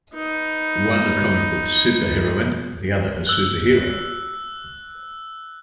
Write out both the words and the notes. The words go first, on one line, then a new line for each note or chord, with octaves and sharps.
One a comic book superheroine, the other a superhero.
D#4 B4
E6 F#6